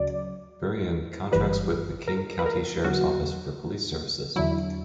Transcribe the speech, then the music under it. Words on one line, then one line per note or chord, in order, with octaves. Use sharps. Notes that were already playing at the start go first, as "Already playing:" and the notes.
Burien contracts with the King County Sheriff's Office for police services.
Already playing: D2 C#3 F#3 D5
G1 F#2 E3 G3 B4
A#4
B4
A#4
E2 D3 F#3 F#4
E2 D3 F#3 E4